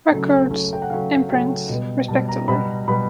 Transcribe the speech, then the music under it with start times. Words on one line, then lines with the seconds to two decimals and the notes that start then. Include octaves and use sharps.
Records imprints, respectively.
0.11 C#3 F#3 A3 C#4
0.51 C#3 F#3 A3 C#4
0.73 G5
0.82 F#5
0.90 C#3 F#3 A3 C#4 F5
1.29 C#3 F#3 A3 C#4 G5
1.69 B2 G3 B3
2.08 B2 G3 B3 A5
2.29 A#5
2.48 B2 G3 B3 B5
2.88 B2 G3 B3 B5